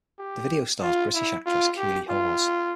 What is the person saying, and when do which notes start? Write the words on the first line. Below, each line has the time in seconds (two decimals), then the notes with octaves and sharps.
The video stars British actress Keeley Hawes.
0.19 G4
0.82 F4
1.14 E4
1.46 F4
1.77 G4
2.09 F4